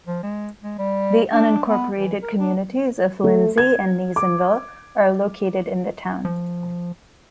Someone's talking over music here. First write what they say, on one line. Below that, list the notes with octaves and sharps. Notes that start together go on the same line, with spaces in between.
The unincorporated communities of Lindsey and Nasonville are located in the town.
F3
G#3
G#3
G3
D4
B3
E3
A#4
D4
A3
G#6
D6
F3